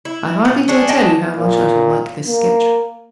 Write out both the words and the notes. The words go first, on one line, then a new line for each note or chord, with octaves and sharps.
I hardly dare tell you how much I shall like this sketch.'
E4
A#2
C#4 D4 G#4
D#5 G5 A5
A#2
A#3